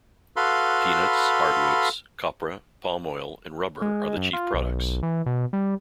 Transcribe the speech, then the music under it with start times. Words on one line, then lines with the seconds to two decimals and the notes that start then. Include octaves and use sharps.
Peanuts, hardwoods, copra, palm oil, and rubber are the chief products.
0.36 F#4 A4 B4 F5 B5 C6
3.82 G#3
4.17 F#2
4.33 F4
4.54 B1
5.03 E3
5.26 B2
5.53 G3